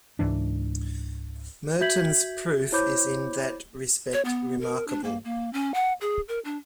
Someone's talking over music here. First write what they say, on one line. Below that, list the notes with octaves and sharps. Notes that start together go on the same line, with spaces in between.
Mertens' proof is in that respect remarkable.
C#2 G#2 E3 D4
F#4 E5 G6 G#6 B6 F#7
E4 C5 C#5 B5 D6 G6
C#5
B3
A#4
D4
A#3
A#3
C#4
F#5
G#4
A#4
D4